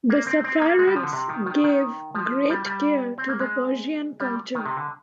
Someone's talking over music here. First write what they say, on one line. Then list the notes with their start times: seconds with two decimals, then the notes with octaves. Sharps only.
The Saffarids gave great care to the Persian culture.
0.10 A#3
0.27 C4
0.44 C4
0.61 A#3
0.79 G#3
0.88 G3
0.96 F3
1.03 D3
1.13 C3
1.29 D#3
1.46 D#3
1.64 D#3
2.15 F3
2.50 G3
2.66 G3
3.18 C4
3.29 A#3
3.40 G#3
4.20 G3
4.55 D#3
4.66 C3
4.77 D3